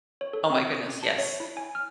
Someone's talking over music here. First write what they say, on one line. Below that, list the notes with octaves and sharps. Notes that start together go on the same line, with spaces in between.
Oh my goodness, yes.
C#5
A4
C4
D#6
C#4
A5
C#5
E4
G#5
F6